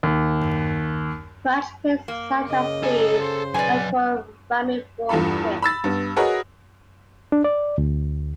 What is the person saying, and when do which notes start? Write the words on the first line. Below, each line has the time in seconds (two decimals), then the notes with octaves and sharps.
Branched pits such as these are called ramiform pits.
0.03 D#2
2.08 A#3
2.49 C#3 D#5
2.84 A4 G#5
3.21 C5
3.54 F#3 B4 D5 G#5
5.09 E2 G2 F4 A4 B5
5.62 B5 E6 A6
5.84 G2 B3
6.16 F#4 G#4 A#4 B4 C#5 D#5
7.32 D4
7.44 D5
7.78 D2